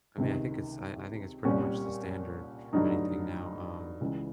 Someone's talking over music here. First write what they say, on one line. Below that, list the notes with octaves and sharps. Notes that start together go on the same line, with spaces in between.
I mean, I think it's I I think it's pretty much the standard for anything now, um,
C#2 C3 D#3
C2 A#2 G3 C#4
A1 G2 D3 F#3 A3 D#4
C#2 C#3 E3 G#3